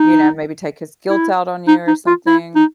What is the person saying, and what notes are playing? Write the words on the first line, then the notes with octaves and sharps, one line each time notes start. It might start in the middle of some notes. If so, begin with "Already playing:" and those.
you know, maybe take his guilt out on you or something?
Already playing: D#4
E4
D#4
D#4
F4
E4
D#4